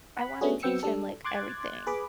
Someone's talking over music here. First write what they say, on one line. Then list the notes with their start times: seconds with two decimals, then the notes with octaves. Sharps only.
I wanna teach him, like, everything.
0.17 F#5 B5
0.41 A3 B3 C#4 D4 F#4 G#4
0.63 F#3 B3 C4 G5 E6 C#7
0.83 G3 D4 A4
1.24 C6 D6 F#6 G#6 A6
1.87 G#4 B4 B5 D6